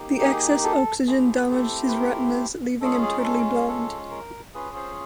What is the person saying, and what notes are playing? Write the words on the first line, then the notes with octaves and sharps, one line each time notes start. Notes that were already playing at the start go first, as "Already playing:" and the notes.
The excess oxygen damaged his retinas, leaving him totally blind.
Already playing: A#3 D#4 G4
G#4
A4
A3 C4 E4 G4 G#4
A4
B4
A#4
G#3 C#4 F4 G#4 A4
G#4
A#4
A4
A4
A#4
C#4 F4 G#4 B4
C5